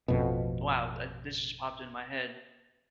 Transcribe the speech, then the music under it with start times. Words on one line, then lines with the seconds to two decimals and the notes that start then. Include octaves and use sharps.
Wow. Uh, this just popped in my head.
0.08 A1 F2 B2